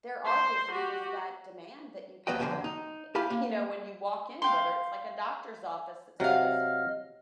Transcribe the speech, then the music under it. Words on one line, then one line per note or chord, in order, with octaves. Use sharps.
there are businesses that demand that you pay them, eh you know, when you walk in, whether it's like a doctor's office that says,
C5 C6
F#4 G4
D#2 F#3 B3 B4 D#5 G5
F2 D3 A3 C5 G5 G#5
D#4
E4 F4 G4 G#5 B5
A#3
F5 G5 C6
C3 F#3 D#5 F5 F#5 F6